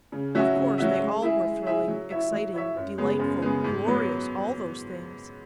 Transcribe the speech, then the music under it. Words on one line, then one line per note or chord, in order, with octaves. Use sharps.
Of course, they all were thrilling, exciting, delightful, glorious, all those things.
C#3
F#3 C#4 F#4 E5
C#3
F#3 C#4 F#4 E5
G#3
E4 G#4 E5
G#3
E4 G#4 E5
F#3
E4 C#5 E5
F#3
E4 C#5 E5
F#2
C#3 G#3 B3 G#4
F#2
C#3 G#3 B3 G#4
G#2
F#3 B3